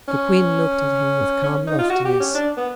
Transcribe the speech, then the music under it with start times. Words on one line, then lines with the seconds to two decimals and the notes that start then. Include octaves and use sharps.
The queen looked at him with calm loftiness.
0.08 C#4
1.44 C#4
1.67 D#4
1.79 F4
1.90 F#4
2.05 G4
2.20 C#4
2.34 D4
2.57 B3